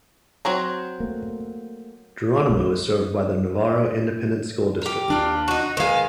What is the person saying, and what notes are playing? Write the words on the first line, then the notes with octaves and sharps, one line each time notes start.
Geronimo is served by the Navarro Independent School District.
F#3 C4 A#5
A3 A#3
B1
G4 A#4
D#2 D4 F4
D#4 F#4
D#3 G#3 B4 F5